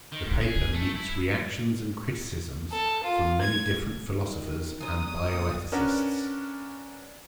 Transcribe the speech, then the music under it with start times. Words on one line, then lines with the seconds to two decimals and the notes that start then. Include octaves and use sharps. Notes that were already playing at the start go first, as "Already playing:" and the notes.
The paper meets reactions and criticisms from many different philosophers and bioethicists.
0.12 D#3
0.24 G#2
0.41 G#4
0.73 A3
0.96 E4
2.72 A4
3.03 F4
3.41 G#6
4.10 D#3
4.80 F#2 F#3 D#6
5.28 A#2
5.72 C#4 D4 A#4 B4 D5 F#5